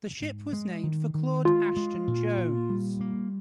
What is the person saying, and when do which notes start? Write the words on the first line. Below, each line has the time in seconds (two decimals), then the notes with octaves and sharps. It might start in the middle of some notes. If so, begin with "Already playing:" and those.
The ship was named for Claud Ashton Jones.
0.21 G#2
0.53 G#3
0.84 D#3
1.15 D#3
1.45 G#3 F4
1.77 G#3
2.07 A#2
2.38 A#2
2.70 G3
3.01 A#3